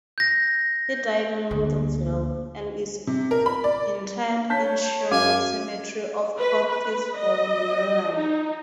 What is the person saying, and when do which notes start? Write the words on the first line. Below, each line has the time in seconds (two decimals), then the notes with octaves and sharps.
He died in Lutherville, and is interred in Sherwood Cemetery of Cockeysville, Maryland.
0.18 G6 A#6
1.51 D2 A#3
3.07 C3
3.31 A#4
3.46 B5
3.64 D5
4.50 C#5 A5 G6 B6
5.11 F#2 F5 G#5 D6
6.38 B4
6.70 B4
7.17 D#5
8.14 D#4